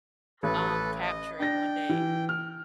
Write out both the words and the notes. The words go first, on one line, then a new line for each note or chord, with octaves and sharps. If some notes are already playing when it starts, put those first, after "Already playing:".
um, capture it one day
A1 A4 B4
D#5
D4 G5 A#6
E3
F6